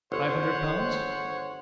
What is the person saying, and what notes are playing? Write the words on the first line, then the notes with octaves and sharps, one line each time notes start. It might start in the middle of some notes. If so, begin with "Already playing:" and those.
Five hundred pounds?'
G1 D3 G#4 C5 C#5 F#5